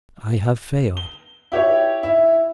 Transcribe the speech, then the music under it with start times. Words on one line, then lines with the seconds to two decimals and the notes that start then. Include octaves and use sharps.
I have failed.
0.97 G7
1.52 E4 G4 C#5
2.03 E4